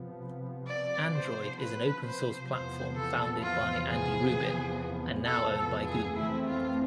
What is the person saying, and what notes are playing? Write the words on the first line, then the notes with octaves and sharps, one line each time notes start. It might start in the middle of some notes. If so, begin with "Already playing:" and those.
Android is an open-source platform founded by Andy Rubin and now owned by Google.
Already playing: C3 F3 B3
D5
C5
B4
C5
E2 C3 F3 B3 C5
A4
F4
G#4
A4
A4
G#4
F2 E3 A3 C4 E4
F4